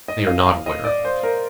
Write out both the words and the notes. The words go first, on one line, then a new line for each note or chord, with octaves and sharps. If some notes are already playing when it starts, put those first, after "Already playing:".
"They are not aware of it."
D#5
F5
F5
D#5
D5
C5
A#4